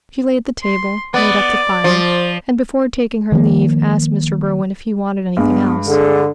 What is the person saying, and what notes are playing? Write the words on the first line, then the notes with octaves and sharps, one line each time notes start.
She laid the table, made up the fire, and before taking her leave asked Mr. Berwin if he wanted anything else.
C6
B3 D5
F3
D#3 F3 A3 A#3
G2 G#3 B3
D3 G#4